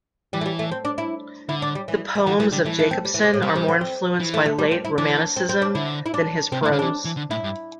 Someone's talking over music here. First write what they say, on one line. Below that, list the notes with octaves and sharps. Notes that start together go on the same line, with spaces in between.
The poems of Jacobsen are more influenced by late romanticism than his prose.
E3 G3
A3
G3
A3
C4
D4
E4
D3 E4
D4
G3
E3
E3
D3 E3
E3 G3
D3 G3
E3 A3
A3
C4
G3
E3
C3
A2
C3 G3
C3
D3
C4
E3
A3
A3
G3
C4
E4
E3 D4
C4
C4
D4
D3 E4
E4
D4
C3 C4
A2
E4
D3
E3 D4
E3
D3
A2 E4
G2